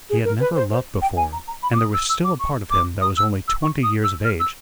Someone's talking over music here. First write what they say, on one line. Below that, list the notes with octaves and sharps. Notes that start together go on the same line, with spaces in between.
He had never loved before, and there was still a part of him that was only twenty years of age.
G#4
A#4
B4
C5
C5
G5
G#5
A#5
A#5
B5
D6
D#6
E6
E6
D6
C#6
D6
D#6
E6
E6
C#6
D#6
E6
F6
E6